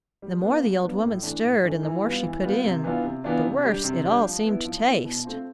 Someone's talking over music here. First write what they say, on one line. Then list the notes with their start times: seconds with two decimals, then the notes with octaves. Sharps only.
The more the old woman stirred, and the more she put in, the worse it all seemed to taste.
0.22 G3
0.42 B3 D4 F4
0.63 G3
0.83 B3 D4 F4
1.03 A2
1.23 E3 A3 D4
1.43 A2
1.64 E3 A3 D4
1.83 E3
2.04 G3 B3 F4
2.23 E3
2.43 G3 B3 F4
2.64 C3
2.84 E3 B3 D4 F4
3.04 C3
3.24 E3 B3 D4 F4
3.44 C3
3.64 G3 D4 G4
3.84 C3
4.04 G3 D4 G4
4.24 F3
4.44 B3 E4
4.65 F3
4.85 B3 E4
5.05 B2
5.25 A3 C4 F4